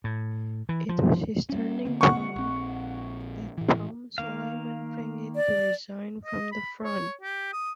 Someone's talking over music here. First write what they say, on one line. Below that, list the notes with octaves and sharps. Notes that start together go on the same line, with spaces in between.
It was this turning point that prompted Suleiman Frangieh to resign from the Front.
A2
E3
F3
G3 C#4
D3 A#3 C4
F#5 C#6
A#1 C4
A2 E3
D#3 A#3 F5
D5
D#5
B5
C#5
G4
D#6